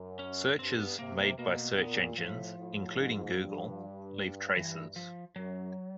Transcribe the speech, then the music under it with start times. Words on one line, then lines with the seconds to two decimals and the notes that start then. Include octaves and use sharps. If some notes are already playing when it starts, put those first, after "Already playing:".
Searches made by search engines, including Google, leave traces.
Already playing: F#2
0.19 C#4
0.59 G2 C4
0.79 B3
0.99 C3 A#3
1.18 A#3
1.38 B2 A#3
1.78 A#2 B3
2.18 A2 F3
2.57 A2
2.97 G#2
3.38 G2
4.57 E3
4.96 F3
5.36 F#2 F#3